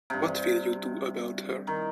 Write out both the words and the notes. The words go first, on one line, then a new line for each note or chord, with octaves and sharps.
What will you do about her?
G2 C3
D#3